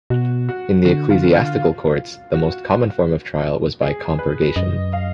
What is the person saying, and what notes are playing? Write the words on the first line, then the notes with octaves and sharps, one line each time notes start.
In the ecclesiastical courts, the most common form of trial was by compurgation.
B2 F#4
F#4
D3 F#4
F4
F4
F#4
G#4
B4
F#2 D#5
F5